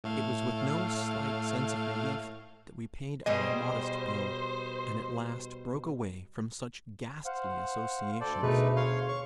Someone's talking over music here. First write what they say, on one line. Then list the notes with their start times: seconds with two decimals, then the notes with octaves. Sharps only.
It was with no slight sense of relief that we paid our modest bill and at last broke away from such ghastly associations.
0.04 A2 A3 F5
3.26 B2 G3 G#4 C5 D#5
7.26 C5 F5 F#5
8.20 D2 A4 C5 D5
8.43 B2 A3 D#4 G#4 B4
8.76 C#5 F5 C6
9.08 C#5 C#6